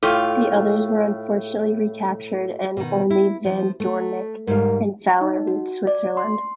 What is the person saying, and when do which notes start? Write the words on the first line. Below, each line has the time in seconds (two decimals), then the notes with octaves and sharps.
The others were unfortunately recaptured and only van Doorninck and Fowler reached Switzerland.
0.03 A2 F4 A4 F5 G5 C#6
2.77 B2 D#3
3.10 E4
3.45 F3
3.80 A3
4.47 G#2 G3 A#4 F5
5.21 D#4
5.47 F#4
5.87 D5
6.17 C6